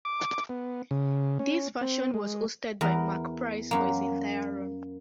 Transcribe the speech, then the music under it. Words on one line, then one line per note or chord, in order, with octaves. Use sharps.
This version was hosted by Marc Price for its entire run.
D6
B3
C#3
C#4
C4
G#3
E2 A#4
F#2 A#3